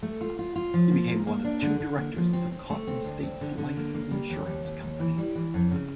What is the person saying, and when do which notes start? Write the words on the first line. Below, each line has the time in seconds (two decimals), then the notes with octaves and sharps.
He became one of two directors of the Cotton States Life Insurance Company.
0.03 A3
0.21 F4
0.39 F4
0.56 F4
0.74 F3
0.91 A#3
1.10 A#3
1.27 A#3
1.45 D4
1.62 D3
1.80 D3
1.98 A#3
2.17 F3
2.33 C4
2.52 C4
2.70 A3
2.87 C4
3.05 D2
3.23 C4
3.41 D3
3.58 D3
3.77 A#3
3.94 A#3
4.11 G3
4.30 D#2
4.47 D#2
4.65 D#2
4.83 D#2
5.00 E3
5.18 G3
5.35 E3
5.54 F2
5.72 C#3